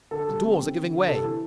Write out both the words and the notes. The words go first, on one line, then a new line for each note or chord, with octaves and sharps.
The doors are giving way.'
D3 A4
G3
C4
D3
D3
D3
C3 A4
E3